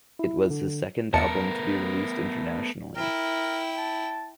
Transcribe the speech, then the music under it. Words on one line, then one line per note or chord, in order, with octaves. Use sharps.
It was his second album to be released internationally.
E4
D3
E2 A3 B3 A#4 A5 C#7
E4 A#4 G5
A5